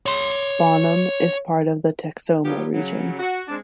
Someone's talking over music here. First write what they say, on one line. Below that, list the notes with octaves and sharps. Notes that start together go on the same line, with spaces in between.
Bonham is part of the Texoma region.
C#5 C6
F#3 G3 B3 F4 G4
C#3 F#3
F#4
G#3 C4 D4